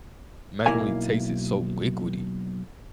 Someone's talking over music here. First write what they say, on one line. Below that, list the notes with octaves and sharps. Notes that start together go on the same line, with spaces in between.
macaroni tasted so liquidy.
B1 A#3 E4 A#4 F5 G#5